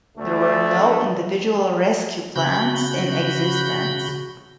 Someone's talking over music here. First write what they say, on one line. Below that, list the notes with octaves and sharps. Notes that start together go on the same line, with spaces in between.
There were no individual rescue plans in existence.
D2 D3 A3
C#3 F#4 B5 G6